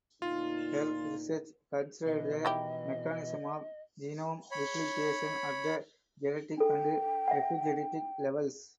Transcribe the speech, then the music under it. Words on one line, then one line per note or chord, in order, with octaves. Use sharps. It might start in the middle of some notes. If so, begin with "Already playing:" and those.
Her research considered the mechanisms of genome replication at the genetic and epigenetic levels.
D2 A#2 D#4 F4
B2 E3 D#5
D#3 E4 G4
C#5 B5
D4 A4 G5
E5 F#5